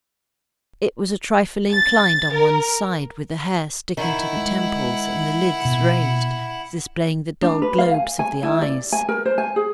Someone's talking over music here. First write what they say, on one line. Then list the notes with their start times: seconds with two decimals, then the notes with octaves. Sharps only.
It was a trifle inclined on one side, with the hair sticking to the temples, and the lids raised, displaying the dull globes of the eyes.
1.71 A6
2.34 A#4
3.97 D#3 E4 F#5
4.37 G#3
5.65 B2
7.42 D4
7.62 B4
7.78 F5
7.94 G#5
8.19 G#5
8.43 E4
8.62 D5
8.92 G#5
9.09 A#4
9.26 C5
9.38 G#5
9.56 G#4